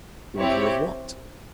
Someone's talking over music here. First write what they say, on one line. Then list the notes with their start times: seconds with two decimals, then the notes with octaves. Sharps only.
Warn her of what?
0.38 C4 E4 G4 C#5